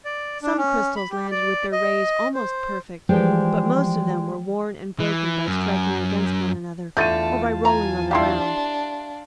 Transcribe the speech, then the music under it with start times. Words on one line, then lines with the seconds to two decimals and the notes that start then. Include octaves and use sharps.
Some crystals landed with their rays almost perfect, but most of them were worn and broken by striking against one another, or by rolling on the ground.
0.05 D5
0.43 D4
0.58 C#4
0.96 B5
1.10 G4
1.31 D5
1.72 D#5
2.34 C5
3.09 E3 F3 G3 G#3 G5
5.00 E3
5.47 F#2
6.97 E2 D3 A3 F4 A5 G6 A6 D#7
7.65 G#5 A#5
8.11 D4 E4 G4 F5 C6 C7